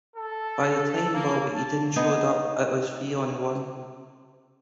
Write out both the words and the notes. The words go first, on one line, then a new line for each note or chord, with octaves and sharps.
By the time Bobby Eaton showed up, it was three on one.
A4
A#3
A5
B3 D#4 G#4